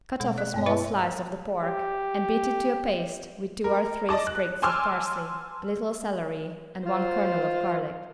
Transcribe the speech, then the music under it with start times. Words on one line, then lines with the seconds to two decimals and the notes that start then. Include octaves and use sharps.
Cut off a small slice of the pork and beat it to a paste with two or three sprigs of parsley, a little celery and one kernel of garlic.
0.20 B2 G#3
0.38 D5 F#6
0.54 G2 B3 C#5
0.66 E4 B4 E5 A5
1.63 G4
3.64 A#4
4.09 D5 D#5 A5 D6
4.27 F#6
4.62 G#5 A5 C6 D6 E6 F6
6.86 F4 C5